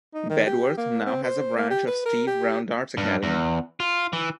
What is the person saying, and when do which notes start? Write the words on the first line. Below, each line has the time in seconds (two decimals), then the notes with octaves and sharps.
Bedworth now has a branch of Steve Brown Darts Academy.
0.14 D#4
0.30 D#3
0.46 G4
0.77 A#3
1.06 C4
1.24 C5
1.56 A#3
1.70 G4
1.87 B4
2.06 A#4
2.27 G4
2.97 G2
3.23 E2
3.80 F4
4.13 E3